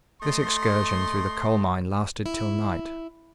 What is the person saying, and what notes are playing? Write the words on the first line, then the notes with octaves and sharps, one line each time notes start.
This excursion through the coal mine lasted till night.
A3 D#5 C6
E4